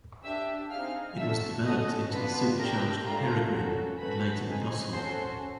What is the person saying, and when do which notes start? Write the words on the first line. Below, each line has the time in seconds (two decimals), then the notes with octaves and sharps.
It was developed into the supercharged Peregrine and later the Goshawk.
0.24 D4 G4 E5 E6
0.70 C4 D#4 G#4 F5 F6
1.17 A3 D4 F#4 A4 E5 E6
1.64 C#4 F#4 A4 D#5 D#6
2.11 B3 D4 F4 B4 B5
2.58 A3 D4 G4 A#4 A#5
3.04 A3 D4 F4 A#4 A#5
3.52 C#4 F#4 A4
3.98 A3 C#4 F#4 A4 B4 B5
4.45 C4 D#4 G#4
4.92 C#4 F#4 A4 C5 C6